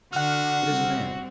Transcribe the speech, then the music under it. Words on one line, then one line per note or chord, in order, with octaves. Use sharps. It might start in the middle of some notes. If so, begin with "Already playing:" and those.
It is a man.
D3 F#4 F#5 F6
G3 C4